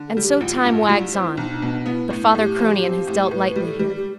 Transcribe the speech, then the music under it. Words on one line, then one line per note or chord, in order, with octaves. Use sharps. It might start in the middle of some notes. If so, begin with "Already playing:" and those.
And so time wags on: but father Cronion has dealt lightly here.
Already playing: D3
A4
G3
G4
A1 F4
G2
G3 F4
F4
C4
E4
B1 D4
B2
B3 E4
A2
A2 G4 A4
F3
C4
A2
A2 B4
B4
G3
A4
G3 G4
G4